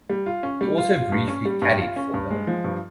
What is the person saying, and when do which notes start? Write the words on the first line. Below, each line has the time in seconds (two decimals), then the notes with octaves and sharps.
He also briefly caddied for her.
0.10 G3
0.26 F4
0.43 C#4
0.61 G3
0.78 F4
0.95 F4
1.12 G2
1.28 C#4
1.45 G3
1.62 G2
1.79 F4
1.96 C#4
2.14 G2
2.30 G#3
2.47 F3
2.64 G2